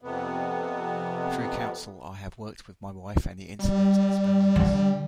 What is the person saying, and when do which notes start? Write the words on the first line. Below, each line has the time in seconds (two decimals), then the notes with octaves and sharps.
Through counsel I have worked with my wife and the incident is behind us.
0.02 F2 C3 B3
3.59 G3
4.56 D3